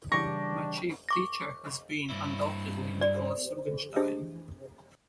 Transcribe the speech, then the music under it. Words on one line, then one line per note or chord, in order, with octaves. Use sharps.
My chief teacher has been, undoubtedly, Nicholas Rubinstein.
C#3 E3 G3 D4 G4 C#6 A#6
C#6 D6 A#6
G2 E4
D5
D4 G4 G#4 C5 D#5